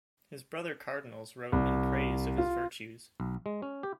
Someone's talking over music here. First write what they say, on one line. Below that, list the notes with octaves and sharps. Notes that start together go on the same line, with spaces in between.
His brother Cardinals wrote in praise of his virtues.
C2
F4
B1
G#3
C#4
G4